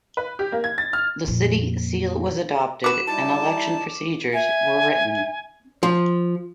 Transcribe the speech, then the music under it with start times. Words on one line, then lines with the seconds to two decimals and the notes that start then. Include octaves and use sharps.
The City Seal was adopted, and election procedures were written.
0.17 B4
0.39 G4
0.52 A#3
0.64 G#6
0.78 A6
0.93 F6
1.25 F2 A#2
2.84 F#4 B4 D6
3.07 G3 D#4 E4 A5
4.33 E5 G#5
5.83 F3